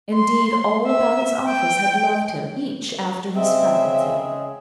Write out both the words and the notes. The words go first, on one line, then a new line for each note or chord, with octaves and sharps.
Indeed, all about its office had loved him, each after his faculty.
C6
E5
G5
C#3 G#3 C4 G#4 E5